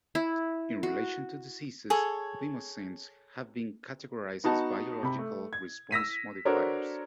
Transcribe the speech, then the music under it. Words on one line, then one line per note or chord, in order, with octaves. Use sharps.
In relation to diseases, thymosins have been categorized as biological response modifiers.
E4
F#4
G#4 A4 C#5
B3 D#4 F#4 A5
C3 B5
A3
G#6
E6 A#6 B6 D#7
D4 F#4 A4 A#4 C5 C#5